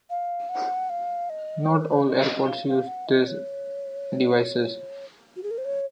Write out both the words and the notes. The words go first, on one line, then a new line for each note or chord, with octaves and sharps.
Not all airports use these devices.
F5
F#5
F5
D#5
C#5
A#4
C5
C#5
D#5
F5
F5
F#5
D#5
C#5
F#4
G#4
A#4
C5
C#5